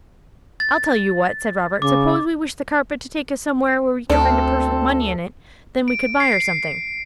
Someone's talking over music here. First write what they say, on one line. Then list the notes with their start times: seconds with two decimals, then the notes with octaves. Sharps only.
'I'll tell you what,' said Robert. 'Suppose we wished the carpet to take us somewhere where we could find a purse with money in it--then we could buy her something.'
0.60 A6
1.82 C#3 D6
4.10 D2 C4 D4 A4 F6
5.88 D7
6.20 C7